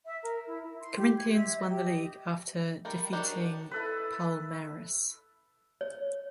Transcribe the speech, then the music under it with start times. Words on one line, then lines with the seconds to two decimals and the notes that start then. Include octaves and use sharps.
Corinthians won the league after defeating Palmeiras.
0.05 E5
0.22 A#4
0.46 E4
0.62 E4
0.80 C6
0.97 G4
1.17 G#6
1.34 E5
1.55 D#5
1.67 G4
1.84 D#5
2.85 D#3 G3 A#4
3.13 D4 D#4 F#4 G4 A#4
3.71 E4 A4 B4
5.81 C#5